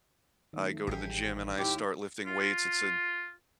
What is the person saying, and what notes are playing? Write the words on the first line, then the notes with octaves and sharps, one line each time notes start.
I go to the gym and I start lifting weights, it's a
D#3 A3
A1 G4 G#4
D#2 E4 G4
F4